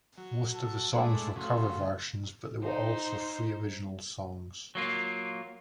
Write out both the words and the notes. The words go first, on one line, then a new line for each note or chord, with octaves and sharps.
Most of the songs were cover versions but there were also three original songs.
F#3
A4
G#3 A3 D4 E4
C#3 F#3 A3 F4
D#4 C5
F#3 A#3 F4